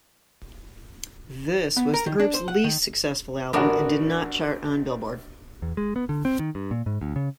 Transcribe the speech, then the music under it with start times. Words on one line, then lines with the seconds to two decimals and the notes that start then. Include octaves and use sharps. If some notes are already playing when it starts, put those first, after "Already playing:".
This was the group's least successful album and did not chart on "Billboard".
1.77 B3
1.94 A#4
2.06 D#3
2.20 D4
2.34 C5
2.48 F#5
2.64 D#3
3.53 A1 B3 D4 F#4 A#4
5.62 E2
5.77 G#3
5.96 B3
6.09 D3
6.25 C4
6.39 D#3
6.55 G2
6.71 A#2
6.86 G#2
7.01 D2
7.16 C#3